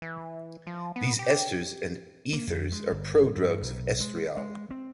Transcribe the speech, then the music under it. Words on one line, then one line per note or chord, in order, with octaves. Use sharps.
These esters and ethers are prodrugs of estriol.
E3
F3
B3
G4
A#3
F2
G#3
G1
G2
B1
G#3
G#3
C4